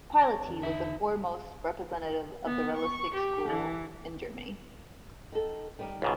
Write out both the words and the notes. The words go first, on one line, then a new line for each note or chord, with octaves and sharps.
Piloty was the foremost representative of the realistic school in Germany.
A#5 D6 A#6
C#5
E2 D3
D#4 E5
B3
C#6
G4
E3
D#3 A4
D#3 G3 D#4
C#2 G#2 B2